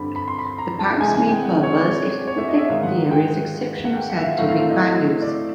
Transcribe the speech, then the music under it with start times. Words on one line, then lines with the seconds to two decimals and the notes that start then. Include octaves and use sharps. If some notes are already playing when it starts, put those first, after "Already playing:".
The park's main purpose is to protect the area's exceptional scientific values.
Already playing: G2 D3 G3 C4 B5
0.16 B5
0.28 C6
0.39 B5
0.58 A#5
0.79 A5
1.00 C3 E3 G#3 G#5
1.14 G#5
1.29 G5
1.43 F#5
1.63 C#5
1.76 D5
1.88 C#5
2.27 C#5
2.38 E5
2.48 D#5
2.58 E5
2.69 G#2 D#3 G#3 F5
2.83 F#5
3.11 G5
3.85 F#5
3.96 G5
4.10 F#5
4.17 E5
4.23 F5
4.38 A2 F#3 A3 C4 F5
4.48 F5
4.59 F5
4.70 D#5
5.22 D5